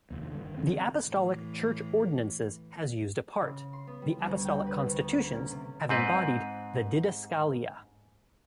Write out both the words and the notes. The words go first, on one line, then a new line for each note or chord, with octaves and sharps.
The Apostolic Church-Ordinances has used a part, the Apostolic Constitutions have embodied the "Didascalia".
F1 D#2
G2 D3
D#3
F1 D3 D#3 C4
A2 E3
C#3
C6
B3
G3
D2
G5
B4
D2
B3
A#3
C#4
C3
G#2 C4 B4